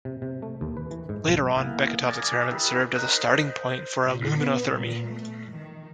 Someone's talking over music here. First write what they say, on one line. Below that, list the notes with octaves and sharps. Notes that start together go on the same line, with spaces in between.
Later on, Beketov's experiments served as a starting point for aluminothermy.
C3
C3
A3
D#2
B4
E3
G#2
B1
E3 A#3 B3
G#4 A#4 D5
E4 G4 A#4 B4 B5
D#4 A#4 C5 D#5 F#6
C5
A#2
B3
A#2
A3
D#3